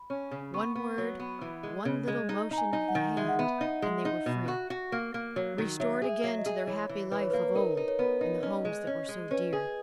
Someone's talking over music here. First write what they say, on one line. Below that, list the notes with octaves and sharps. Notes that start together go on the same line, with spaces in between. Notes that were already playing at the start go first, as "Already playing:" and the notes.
One word, one little motion of the hand, and they were free, restored again to their happy life of old and the homes that were so dear.
Already playing: B5
C#4
C#3
B3 C#6
B3
F#3
B3
E3
G#3
C#3
G#3
D#4
D#4 A#5
G#5
D#4
F#5
D#3
G#3 E5
F#5
B3 E5
D#4
G#3
D#4
B2
F#4
F#4
A#3
A#3
F#3
D#3
F#3 E5
G#4
E5
F#3
D#5
G#4
E3 C#5
E3
E3 B4
C#5
B4
A#3
B4
D#4 A#4
D#4
C#5
B3 B4
D#4
C#4 D#5
G#3
D#5
C#4
G#3
C#4 B4
G#4